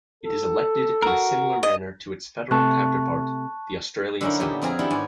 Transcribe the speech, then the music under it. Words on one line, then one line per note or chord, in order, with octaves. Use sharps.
It is elected in a similar manner to its federal counterpart, the Australian Senate.
A4
F#4 A#4
D#5
C3 A3 A5 C#6 F#6
D3 F#3 C#4 D#4 E4 A#4
A#2 B3 G4
F2 C4 G#4 F5 G#5 A#5
D#3 B3 D4 E4 G4 A4
G#2 C#4 D#4 D5 G#5